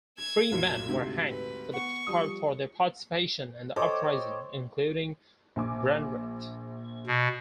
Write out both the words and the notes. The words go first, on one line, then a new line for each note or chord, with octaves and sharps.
Three men were hanged for their participation in the uprising, including Brandreth.
E6 G#6 E7
B1 F#2 A#2
D2 G#2 C3
B4
B3 F#5 C#6
F3 G3 D#6
A4 C5 C#5 D#5 G5 D6
A#1 G#5 D6
B2